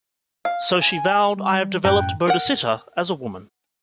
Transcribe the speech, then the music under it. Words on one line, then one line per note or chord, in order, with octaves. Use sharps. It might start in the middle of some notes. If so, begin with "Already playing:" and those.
So she vowed, I have developed bodhicitta as a woman.
F5
G#5
G3
F#2 A2 G5 A#5 F#6
A#4 F#5